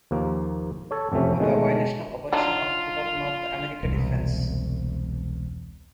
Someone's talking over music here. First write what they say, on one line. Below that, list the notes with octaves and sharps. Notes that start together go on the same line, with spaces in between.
The bi-national operation of total North America Defense.
D#2 F3 A#3
A4 C#5
A1 F2 C3 A3 C#4
B2 D#3 G#3 A3
F#3 D4 D#4 F4
E1 C2